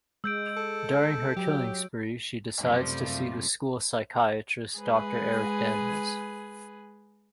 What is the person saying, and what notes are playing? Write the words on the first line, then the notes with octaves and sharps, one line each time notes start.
During her killing spree, she decides to see the school psychiatrist, Doctor Eric Daniels.
G#3 E6 G6 D7
A4
F#3 G4
F#2 C3 F3 G3 A3 F4
G#3 G#4 B4